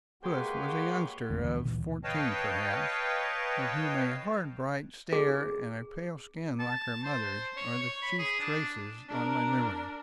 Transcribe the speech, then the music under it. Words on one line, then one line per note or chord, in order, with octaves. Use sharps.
Puss was a youngster of fourteen perhaps, of whom a hard bright stare, and a pale skin like her mother's, are the chief traces on my memory.
G#3 A#3 F#4 G4 B4 C#5
A1 F2 D3 A3
D2 G2 B2 E3
D2 A#2 E3
B4 C#5 D#5 F5 G5 A5
G#4
A5
C5
C#5
C#5
B5
G#4
D4
D4 A#4